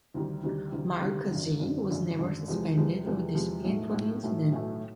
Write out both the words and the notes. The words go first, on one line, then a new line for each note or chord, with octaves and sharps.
Markazi was never suspended or disciplined for the incident.
D2 C3 D#3 G3
D2 C3 D#3 G3
D2 C3 D#3 G3
D2 C3 D#3 G3
G#1 F#2 D3
G#1 F#2 D3
G#1 F#2 D3
G#1 F#2 D3
E2 C3 F3 G#3
E2 C3 F3 G#3
E2 C3 F3 G#3
E2 C3 F3 G#3
B1 A2 F#3 A3
B1 A2 F#3 A3
B1 A2 F#3 A3
B1 A2 F#3 A3